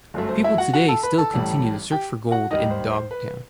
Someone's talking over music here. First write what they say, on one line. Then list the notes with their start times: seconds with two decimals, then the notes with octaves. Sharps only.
People today still continue to search for gold in Dog Town.
0.14 G1 F#2 F#3 A3
0.29 C5
0.44 E4 E5
0.58 F#4 F#5
0.74 F#4 F#5
0.88 A4 A5
1.03 B4 B5
1.18 A4 A5
1.33 A1 A2 G3
1.92 G4 G5
2.31 F#4 F#5
2.50 D#2 D#3 G3 D#4 D#5
2.70 C5
2.91 C5
3.11 B4